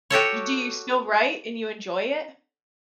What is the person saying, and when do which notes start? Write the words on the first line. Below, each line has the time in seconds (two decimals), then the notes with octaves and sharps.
you do you still write and you enjoy it?
0.10 F#4 G4 A4 C#5